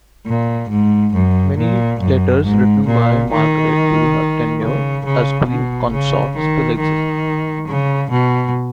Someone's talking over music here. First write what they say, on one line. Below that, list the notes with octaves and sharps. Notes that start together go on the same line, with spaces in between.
Many letters, written by Margaret during her tenure as queen consort, still exist.
A#2
G#2
F#2
A#2
F#2
G#2
A#2
D#3
C#3
C#3
B2
C#3
D#3
D#3
C#3
B2